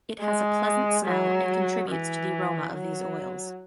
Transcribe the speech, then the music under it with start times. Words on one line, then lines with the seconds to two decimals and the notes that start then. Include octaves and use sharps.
It has a pleasant smell and contributes to the aroma of these oils.
0.21 G#3
1.05 F#3
1.89 E3
2.73 F#3